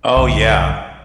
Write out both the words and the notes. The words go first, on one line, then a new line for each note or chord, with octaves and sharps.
Oh, yeah.
B1 G2 D3